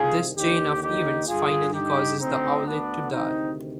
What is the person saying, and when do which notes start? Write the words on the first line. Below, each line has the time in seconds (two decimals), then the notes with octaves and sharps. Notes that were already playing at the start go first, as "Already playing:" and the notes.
This chain of events finally causes the owlet to die.
Already playing: C2 C3 D#3 F4 G#4
0.36 D#2 D3 D#4 G4
0.82 D#4 G4
1.28 G2 D3 F4 G#4
1.74 D#4 G4
2.20 D2 D3 C4 D#4
2.66 B3 D4
3.11 D2 C3 D#3 C4 D#4